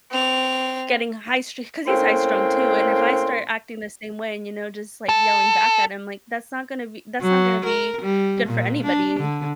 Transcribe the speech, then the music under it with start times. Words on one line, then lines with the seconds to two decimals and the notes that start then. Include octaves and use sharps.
getting high street 'cause he's high strung too, and if I start acting the same way and, you know, just, like, yelling back at him, like, that's not gonna be that's not gonna be good for anybody.
0.11 C4 F7
1.87 A2 A#3 C4 C#4 C6
5.09 A4
7.21 F#3
7.65 A#4
8.02 G3
8.46 A#2
8.83 D4
9.19 D3